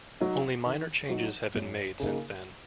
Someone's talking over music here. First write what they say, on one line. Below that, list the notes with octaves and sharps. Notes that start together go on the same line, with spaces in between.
Only minor changes have been made since then.
F#3 D#4
D#3
F#3 D#4
F#2
C#3 A#3 D#4